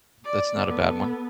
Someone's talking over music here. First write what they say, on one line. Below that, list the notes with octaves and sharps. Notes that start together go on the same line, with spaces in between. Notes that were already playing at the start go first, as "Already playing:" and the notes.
That's not a bad one.
D5
B3 A4